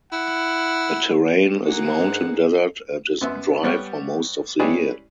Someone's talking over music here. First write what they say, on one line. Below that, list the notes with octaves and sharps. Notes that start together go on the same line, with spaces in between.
The terrain is mountain desert and is dry for most of the year.
E4 F#5
G#3 A#3 F#5
G#2 D4 G#4 B4
F#2 B3 E5 C6
G3 B3 C#5 F#5 G5 F6
C#4 E4 G4 G#4 B4 D5